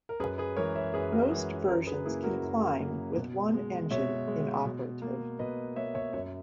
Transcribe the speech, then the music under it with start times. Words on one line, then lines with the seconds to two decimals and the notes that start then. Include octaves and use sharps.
Most versions can climb with one engine inoperative.
0.09 A#4
0.20 F#2 G#4 B4
0.38 G#4 B4
0.56 E3 G#3 A#4 C#5
0.76 C#5 E5
0.94 F#2 G#4 B4
1.12 F#4 A#4
1.31 E3 G#3 G#4 B4
1.68 F#2 A#4 C#5
1.87 G#4 B4
2.05 C#3 F#3 A#3 E4 G#4
2.24 F#4 A#4
2.43 F#2
2.80 C#3 F#3 A#3
3.17 B2
3.54 G#3
3.91 B2 C#5 E5
4.28 G#3
4.65 B2
5.02 A#3
5.39 B2 B4 D#5
5.76 A#3 C#5 E5
5.95 C#5 E5
6.13 F#2 C#5 E5